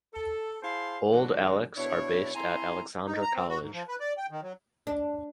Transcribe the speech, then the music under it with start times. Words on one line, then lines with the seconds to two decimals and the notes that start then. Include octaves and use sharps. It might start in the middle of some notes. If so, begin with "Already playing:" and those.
Old Alex are based at Alexandra College.
0.14 A4
0.62 E4 G#4 C5 F5 A5 C6
1.11 G#2 D3 E3 F#3 D4 F#4
1.77 B2 D4 E4 C#5
2.35 C4 E4 G#5 A#5 C6
3.07 D#4
3.22 A#5
3.34 C4
3.49 F#4
3.60 G#2
3.73 F3
3.88 B4
4.00 D5
4.17 G5
4.30 D#3
4.42 F#3
4.87 D4